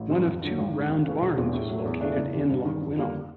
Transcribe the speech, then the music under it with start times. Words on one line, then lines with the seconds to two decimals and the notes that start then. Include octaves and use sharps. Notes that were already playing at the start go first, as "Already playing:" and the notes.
One of two round barns is located in Lochwinnoch.
Already playing: A1
0.10 G2 D#3 G3 C4
0.26 F2
0.42 D3 F#3
0.58 G#1
0.73 G#2 D#3
0.89 D#2
1.06 C#3 E3 A3 C#4
1.22 E1
1.37 E2 B2 G3 C4
1.53 A2
1.69 F#3 A3
1.85 E2
2.01 C#3 E3 A3 D4
2.17 F#1
2.33 E2 C3
2.49 G2
2.65 D#3 G3
2.81 F2
2.97 D3 G3 A#3 D4